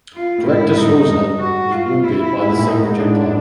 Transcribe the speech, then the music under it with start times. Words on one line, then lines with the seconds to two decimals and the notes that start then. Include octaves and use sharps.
Director Souza was wounded by the same projectile.
0.14 F4
0.38 A2
0.45 G#2 E4
0.77 G2 D#4
1.09 G2
1.41 F#4
1.72 F4
2.04 E4
2.36 G#2
2.49 A#2
2.57 A2
2.67 D#4
2.75 A2
2.83 G#2
2.99 G#2 D4